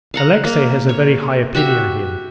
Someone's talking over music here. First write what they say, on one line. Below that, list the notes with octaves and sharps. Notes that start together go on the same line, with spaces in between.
Alexey has a very high opinion of him.
F5 F#5 A#5
A#3
C#5
F#4 G4 E5